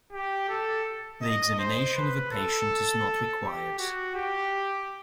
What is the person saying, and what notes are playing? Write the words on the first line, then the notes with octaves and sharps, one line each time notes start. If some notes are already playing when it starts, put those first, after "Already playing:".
The examination of a patient is not required.
G4
A4
D#5
C5
B4
A4
G4
F#4
G4